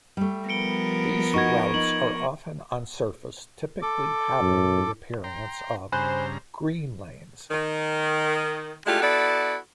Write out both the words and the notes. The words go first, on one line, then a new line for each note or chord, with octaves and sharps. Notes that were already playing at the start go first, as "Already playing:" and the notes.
These routes are often unsurfaced, typically having the appearance of 'green lanes'.
G3 A3
F3 B3 A#4 C#7 D7 G7
D#4 F#4 C#6 G#6
D#4 F#7
A4 D6
F#2
G5 A#5 C6
G2 C#3 C5 G#5 A#5 B5 F#6
D#3
G#3 A3 D4 E4 F4 G4
B3 E4 F#4 A4 D5